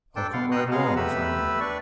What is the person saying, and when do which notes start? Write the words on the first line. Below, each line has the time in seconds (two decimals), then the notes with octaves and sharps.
"I'll come right along if I may."
0.16 D4 A4 G5 A5 D6
0.33 F5 F#5 C6
0.51 G5 A#5 C6 D#6 F#6
0.71 G#3 B3 G#4 F5 F#5 A#5
0.96 A3 G4 B4 B5 E6
1.60 D4 B4 D5 C#6